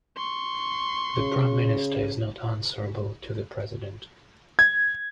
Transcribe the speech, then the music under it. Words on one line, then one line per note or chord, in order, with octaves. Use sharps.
The Prime Minister is not answerable to the President.
C6 C#6
C#3
G#6